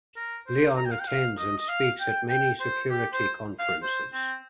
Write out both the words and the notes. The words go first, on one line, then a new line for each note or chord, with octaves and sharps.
Lyon attends and speaks at many security conferences.
A#4
C5
A#5
G5
F5
G5
F5
D#5
D#5
F5
G5
G5
C5
G4
C5
F5
C5
C4